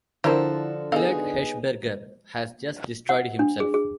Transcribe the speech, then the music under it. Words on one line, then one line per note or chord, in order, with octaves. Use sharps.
Willard Hershberger has just destroyed himself.
D3 F3 E4 F#4 A4 A#4 C5
B3 D#4 G#4 A4 D#5 F5
F#5
D4
G#4
G#4